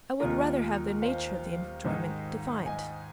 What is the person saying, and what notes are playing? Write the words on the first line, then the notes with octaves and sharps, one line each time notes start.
'I would rather have the nature of the enjoyment defined.'
D#2 D#3 G#3 F4 A#4 D#5
C5 F5
G#2 D#3 G#3 D#4
D#5 G#5